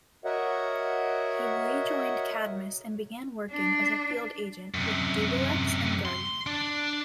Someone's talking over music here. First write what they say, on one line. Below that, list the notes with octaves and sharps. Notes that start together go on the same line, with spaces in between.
He rejoined Cadmus and began working as a field agent with Dubbilex and Guardian.
F#4 A#4 C#5 D#5 E5 F#5
D4
F#2 C3
C6
D4